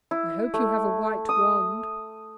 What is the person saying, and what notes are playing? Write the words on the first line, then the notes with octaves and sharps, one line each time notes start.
I hope you have a white wand.'
E4
A3
D#6